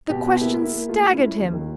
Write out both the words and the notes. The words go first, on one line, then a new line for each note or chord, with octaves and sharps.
The question staggered him.
B2 G4
B3
A#3 E4
A#3 E4
A#3
A3 F4
A3
E4
C#4
D#2 F4
D#3